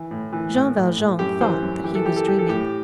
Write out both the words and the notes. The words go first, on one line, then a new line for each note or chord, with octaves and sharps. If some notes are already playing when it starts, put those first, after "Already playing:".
Jean Valjean thought that he was dreaming.
Already playing: E3
A2
E3
A2
A2
A2
F#2 G4
E3 C5
F#2
E3 G4
A4
E3 G4
A4
E3 G4
A4
A2 G4